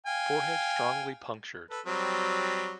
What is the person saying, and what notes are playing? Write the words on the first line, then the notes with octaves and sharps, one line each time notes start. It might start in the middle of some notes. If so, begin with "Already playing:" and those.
Forehead strongly punctured.
F5 G5 G#5
A4 B4
F#3 G3 C4